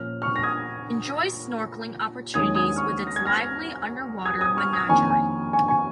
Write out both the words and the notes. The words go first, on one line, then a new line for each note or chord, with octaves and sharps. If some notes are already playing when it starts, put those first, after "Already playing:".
Enjoy snorkeling opportunities with its lively underwater menagerie.
Already playing: A#2 F3 C#4 F6
C#6 F6
A#6
D#6 G#6
D#2 D#3 G#3 C#4 D#6 G#6
D#6 G#6
C#6 F6
A#6
G#6
F6 A#6
D#6 G#6
D#6 G#6
C#6 F6
D#6 G#6
F2 D#3 A#3 C#4 G#5 C#6
G#5
G#5 C#6
G#5 C#6